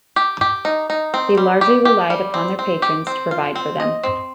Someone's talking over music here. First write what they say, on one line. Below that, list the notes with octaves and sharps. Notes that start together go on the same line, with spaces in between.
They largely relied upon their patrons to provide for them.
G4
G4
D#4
D#4
C4
G3
G4
G4
G3
C4
C4
G4
C4
F4
C4
D#5
C4